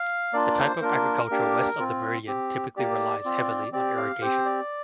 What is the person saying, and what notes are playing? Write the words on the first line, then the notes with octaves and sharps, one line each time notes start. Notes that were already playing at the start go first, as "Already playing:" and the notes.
The type of agriculture west of the meridian typically relies heavily on irrigation.
Already playing: F5
A#3 D4 F4 D5
C5
A#3 D4 F4 A#4
A#3 D4 G4
C4 F4
C4 G4
A#3 G4 D5
C4 F4
C4 G4 D5
F5
C4 G4 C5
D5